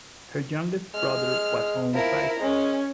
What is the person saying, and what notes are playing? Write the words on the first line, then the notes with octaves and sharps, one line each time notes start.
Her youngest brother was only five.
G#3 F6
F3 E4 A#4
G#3 C#4